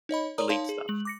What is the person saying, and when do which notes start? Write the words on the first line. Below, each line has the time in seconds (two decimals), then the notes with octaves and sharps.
delete stuff.
0.09 D#4 C#5 D#5 B5
0.38 A#4 C#5 D5 A#5 D#6
0.49 D#4 C#5 F5 A5 C6
0.69 G#4
0.88 G#3 F#7
1.05 D6 A#6 C#7